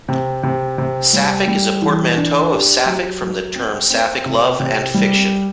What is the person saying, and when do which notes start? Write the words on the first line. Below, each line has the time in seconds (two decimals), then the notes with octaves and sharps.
"Saffic" is a portmanteau of Sapphic from the term Sapphic love and fiction.
0.08 C3
0.43 C3
0.78 C3
1.13 G3
1.48 G3
1.82 E3
2.17 D4
2.52 G4
2.86 F#3
3.22 F#3
3.55 C4
3.90 C4
4.26 C3
4.60 C3
4.94 G3